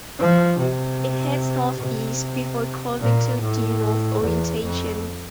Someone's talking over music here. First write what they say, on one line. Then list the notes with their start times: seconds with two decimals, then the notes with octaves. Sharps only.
It heads northeast, before curving to a due-north orientation.
0.19 F3
0.59 C3
1.79 C3
3.00 A#2
3.41 A2
4.21 E2
4.62 F2